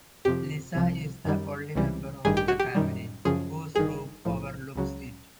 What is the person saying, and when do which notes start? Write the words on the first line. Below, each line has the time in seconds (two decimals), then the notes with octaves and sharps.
Lisa is the only member of the family whose room overlooks it.
0.25 F2 C3 F3 G4
0.75 C2 C3 F3
1.25 F#2 D#3 G3
1.75 C#2 C3 E3 G3
2.25 A1 G2 D#3 G3 G#4
2.37 G4
2.48 F#4
2.60 G4
2.75 F#2 D#3 G3
3.25 F#2 C#3 F3 G#4
3.75 G1 G2 D#3 G#4
4.25 B1 A2 F3
4.75 C#2 C#3 F#3